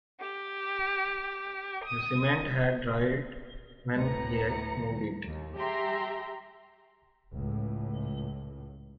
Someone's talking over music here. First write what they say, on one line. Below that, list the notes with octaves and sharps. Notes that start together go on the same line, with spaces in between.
The cement had dried when he moved it.
G4
D#6
D2 A2 B4 A#5 C#7
D#2
G4 G#4 E5 G5 A#5 C6
C#2 A2